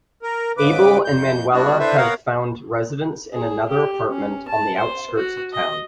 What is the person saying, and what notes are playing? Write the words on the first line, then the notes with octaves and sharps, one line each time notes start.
Abel and Manuela have found residence in another apartment on the outskirts of town.
A#4
G#2 C#3 B4 D6
F2 G6
G3 B3 D4 E4 F#4
D4 E4 A4 B4 C5 E5
B3 A#4 C#5 F5 F#5
G#4
G4
C#4
A5
C5
F#4
D#5